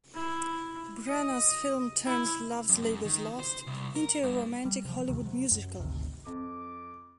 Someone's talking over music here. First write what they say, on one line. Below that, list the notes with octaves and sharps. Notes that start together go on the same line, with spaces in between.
Branagh's film turns "Love's Labour's Lost" into a romantic Hollywood musical.
E4
D#5
E4
F#2
F#2
D#3
C5
C2
A#4
G2
G3
C3 F3
E2 C3 D#3 F#3
C3 F#3
F#2
G#1 D2 C3 D#3
F2 D6